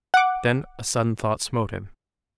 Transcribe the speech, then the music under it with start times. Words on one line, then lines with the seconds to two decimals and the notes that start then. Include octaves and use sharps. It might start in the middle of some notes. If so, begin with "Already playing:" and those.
Then a sudden thought smote him.
0.14 F#5 D6